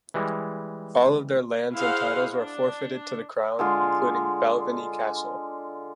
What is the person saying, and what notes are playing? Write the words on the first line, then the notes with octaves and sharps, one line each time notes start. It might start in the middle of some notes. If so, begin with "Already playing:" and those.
All of their lands and titles were forfeited to the Crown, including Balvenie Castle.
E3 G3 G#3
E4 G#4 C5 D#5 F5 F#5
D4
D3 G#3 F4